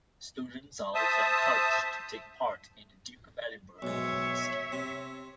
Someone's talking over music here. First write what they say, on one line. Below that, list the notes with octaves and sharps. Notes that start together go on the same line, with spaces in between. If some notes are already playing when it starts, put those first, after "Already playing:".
Students are also encouraged to take part in the Duke of Edinburgh Award Scheme.
C5 E5 A5 D#6
B1 G#2 C#5 E5
C3